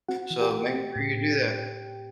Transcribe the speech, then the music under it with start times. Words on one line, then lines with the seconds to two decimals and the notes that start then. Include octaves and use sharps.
So make sure you do that.
0.08 C4 F#4 F#5
0.31 E3
0.41 G4 G5
0.52 A3
0.74 C4
0.96 A2